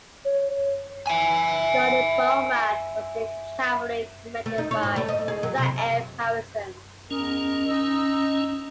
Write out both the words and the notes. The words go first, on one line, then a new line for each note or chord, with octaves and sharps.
Joining Bowman was the cavalry commanded by Isaac F. Harrison.
C#5
E5 G#5
A3
D#4
C#5
G#2
A3
D#5
G#4
F#3
C3
E2 C#4 A#4 D#5
D#4 D#5 E6